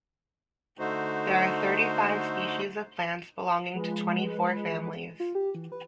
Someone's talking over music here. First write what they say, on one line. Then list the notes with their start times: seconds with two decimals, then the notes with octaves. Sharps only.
There are thirty five species of plants belonging to twenty four families.
0.79 D3 A3 D#4 F#4 C5
3.74 F3 G#3 B4
5.20 F4
5.35 G4
5.55 E3
5.72 B4